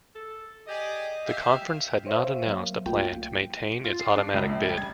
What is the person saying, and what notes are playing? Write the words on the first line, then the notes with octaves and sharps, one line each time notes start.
The conference has not announced a plan to maintain its automatic bid.
A4
G4 G#4 D5 D#5
G4 E5 F5
C5 C#5 E5 F5
F#3 A#3
C2 A3 A#3 F4 G5
F4
C7
D4
C#2
A#1
G3
G#6